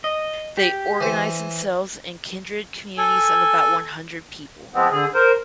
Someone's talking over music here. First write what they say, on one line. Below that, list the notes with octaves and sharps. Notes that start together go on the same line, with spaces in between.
They organised themselves in kindred communities of about one hundred people.
D#5
G4
E3 C5
A4 G#5
F3 G#3 B3 C4
D3 G#4
A#4 C5